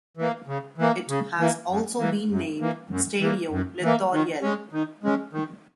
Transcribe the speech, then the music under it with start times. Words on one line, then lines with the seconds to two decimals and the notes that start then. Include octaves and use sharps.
It has also been named Stadio Littoriale.
0.17 E3 A#3
0.47 C#3
0.78 E3 A#3
1.09 C#3
1.38 E3 A#3
1.69 F#2
1.99 E3 A#3
2.30 F#2
2.60 E3 A#3
2.90 F#2
3.20 E3 A#3
3.51 F#2
3.82 E3 A#3
4.12 D#3
4.42 G#3 C#4
4.72 D#3
5.03 G#3 C#4
5.33 D#3